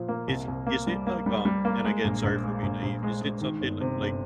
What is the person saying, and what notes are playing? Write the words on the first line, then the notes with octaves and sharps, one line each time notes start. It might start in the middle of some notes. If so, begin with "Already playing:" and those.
is is it like, um and again, sorry for being naive, is it something like like
Already playing: A#2 F3 F4
A#3
C2
C2
A#3
G3
A#3
G3
G3
A#3
G#3
A#1
A#1
G#3
A#1
A#1
G#3
G#3
D#3
G1
C3
G1